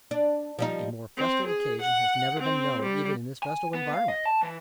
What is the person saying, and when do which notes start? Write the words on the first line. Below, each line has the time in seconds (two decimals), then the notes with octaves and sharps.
A more festal occasion has never been known even in this festal environment.
0.11 D4
0.59 F3 G3 D#4
1.17 C4
1.47 G#4
1.81 F#5
2.39 C4
2.82 G3
3.43 G#5
3.74 B3
3.94 F5
4.08 D#5
4.25 A5
4.43 E3